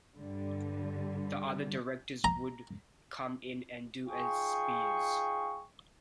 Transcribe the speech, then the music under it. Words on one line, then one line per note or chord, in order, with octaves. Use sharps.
The other directors would come in and "do a Spiers".
G2 D3 G3
A#5
D#4 F4 G#4 G5 C#6